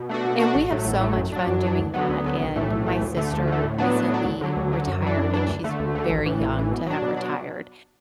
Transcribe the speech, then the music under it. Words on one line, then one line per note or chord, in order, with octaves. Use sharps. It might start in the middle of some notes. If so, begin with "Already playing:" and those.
And we have so much fun doing that, and my sister recently retired, and she's very young to have retired,
Already playing: B2
A3 D4 F#4
B2
A3 D4 F#4
A1
A2 F#3 A3
A1
A2 F#3 A3
F#2
F#3 D4
F#2
F#3 D4
D2
D3 F#3 B3
D2
D3 F#3 B3
B1
A2 E3 A3
B1
A2 E3 A3
D2
D3 A3
D2
D3 A3
A2
F#3 B3 D4
A2
F#3 B3 D4
D2
D3 F#3
D2
D3 F#3
F#2
E3 D4
F#2
E3 D4
D2
D3 A3
D2
D3 A3
A1
A2 E3
A1
A2 E3
B2
F#3 D4
B2
F#3 D4